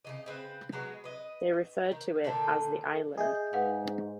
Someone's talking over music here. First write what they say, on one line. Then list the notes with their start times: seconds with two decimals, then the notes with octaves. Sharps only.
They referred to it as "The Island".
0.05 C#3 F#3 D#5
0.26 C#3 C4 B4
0.72 F#3 G#3 B3 F#4
1.04 B4 D#5
1.92 D#3
2.24 A#2 D3 D#3 A4
3.17 G#4 D#5 E5 G6
3.53 G#2 B4 F5 F#5